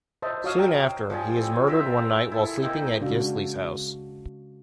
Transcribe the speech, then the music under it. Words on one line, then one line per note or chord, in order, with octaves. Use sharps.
Soon after, he is murdered one night while sleeping at Gisli's house.
C5 D#5 E5 A5
F#4 C#5 D#5 F5 D#6 E6
G5 A#5
F3 G3 F4 G#4
C4
F4 A#4 C5 E5
E4 A4
A#3 C4 D#4
C#3 G#3 D4 F#4 F5